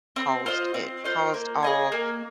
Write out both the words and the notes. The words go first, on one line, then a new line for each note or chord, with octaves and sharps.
paused it paused all
C4
F4 C5 D#5
C4
F4 C5 D#5
A#3
G#4 D#5 G#5
A#3